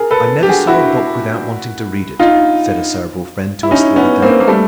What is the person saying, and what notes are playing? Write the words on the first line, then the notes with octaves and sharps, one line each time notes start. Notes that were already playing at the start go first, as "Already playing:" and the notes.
"I never saw a book without wanting to read it," said a Cerebral friend to us the other day.
Already playing: G#4 A#4
A4 B4
G4
F#4 G#4
E4 F#4
D#4 F4
E4
C#4 D#4
B3 C#4
A#3 C4
A#3
G3 A3